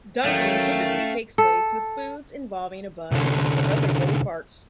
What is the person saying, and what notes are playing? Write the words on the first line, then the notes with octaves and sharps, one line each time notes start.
Dunking typically takes place with foods involving a bun or other doughy parts.
E2 D#3 F#3 A3 C#4 F5 G5
A4
C2 D3